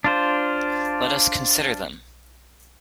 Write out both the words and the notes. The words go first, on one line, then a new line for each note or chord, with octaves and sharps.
Let us consider them!
D4 F4 C5